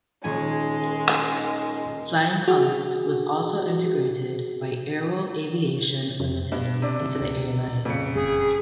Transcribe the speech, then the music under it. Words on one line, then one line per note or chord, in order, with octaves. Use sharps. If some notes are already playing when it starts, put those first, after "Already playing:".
Flying Colours was also integrated by Airworld Aviation Limited into the airline.
D#1 G#3 C#4 G#5
D#3 D#5
F#4 G#4
F2
G2 B2
C3 D4
D2
F2 A#2 C#3 C#7
F#1 G#4